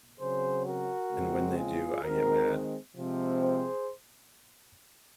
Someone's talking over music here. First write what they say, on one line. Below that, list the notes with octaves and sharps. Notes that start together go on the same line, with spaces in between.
And when they do I get mad.
C#3 F#3 C4 G#4 C5
F#4 A#4
C#3 G#3 C4
F4 G#4
D#3 G#3 C4 F#4 A#4
C3 F3 G#3 C4
G#4 C5